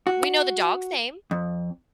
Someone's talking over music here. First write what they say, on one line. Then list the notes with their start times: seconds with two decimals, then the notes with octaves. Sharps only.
We know the dog's name,
0.07 F#4
1.31 F2